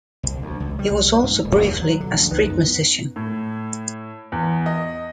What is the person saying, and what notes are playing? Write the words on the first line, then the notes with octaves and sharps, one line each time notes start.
He was also, briefly, a street musician.
C2
D2
C#2
G3
C2
G#2
D#1
D#2
F#3
B2 D3
A1 F#2 F3 D4
C#2 D#4 B4 D5
F#2 B3
B3
A2
E2
D#5